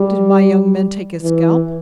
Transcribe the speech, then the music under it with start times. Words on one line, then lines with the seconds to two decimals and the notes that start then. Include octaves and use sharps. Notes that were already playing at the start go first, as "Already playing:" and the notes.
"Did my young men take his scalp?"
Already playing: G3
1.23 E3